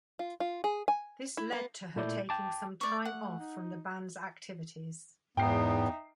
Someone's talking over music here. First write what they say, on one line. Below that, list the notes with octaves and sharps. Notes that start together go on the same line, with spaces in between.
This led to her taking some time off from the band's activities.
F4
F4
G#4
G#5
E4
B3
A#2 A3 E4 D5 G6
G5 A5 D6
A3 D5 C#6
F#5
D#4
E2 G#2 B3 D#4 E5 G5 C7